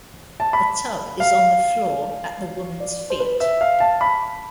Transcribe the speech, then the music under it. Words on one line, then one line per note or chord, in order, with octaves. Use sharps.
A tub is on the floor at the woman's feet.
A5
B5
F5
D5
C5
B4
E5
F5
A5
B5